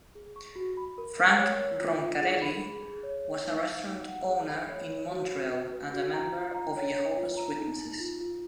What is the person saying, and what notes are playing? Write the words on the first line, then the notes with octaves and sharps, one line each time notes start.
Frank Roncarelli was a restaurant owner in Montreal and a member of Jehovah's Witnesses.
G#4
C#6
F#4
B5
A#4
A#4
C#5
C#5
F4
F4
G#4
B5
G#4
G#4
C#5
C#5
D#4
F5
D#4
F#5
G#4
B5
C#5
C#5
F#4
F#4
B4
B4
F#4
A#5
F4
A#5
C#5
C#5
F4
A#5
D#4
D#4
F4
F4